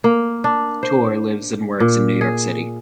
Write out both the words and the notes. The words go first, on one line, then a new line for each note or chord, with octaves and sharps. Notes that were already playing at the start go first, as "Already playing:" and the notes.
Toor lives and works in New York City.
A#3
D4
C5
A#2
G#4